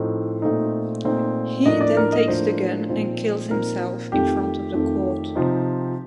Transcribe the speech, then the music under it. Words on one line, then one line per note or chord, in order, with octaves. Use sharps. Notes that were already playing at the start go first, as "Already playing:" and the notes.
He then takes the gun and kills himself in front of the court.
Already playing: A2 F3 A3 C4 D#4
A#2 A3 C4 D#4
A#2 A3 C4 D#4
A2 F3 A#3 D4 D#5
D5
A#4
D#5
A2 F3 A#3 D4 C5
A#2 F3 C4 D#4
A#2 F3 C4 D#4 A#4
F2 D#3 A3 G4
F2 D#3 A3
C3 F3 C4 D#4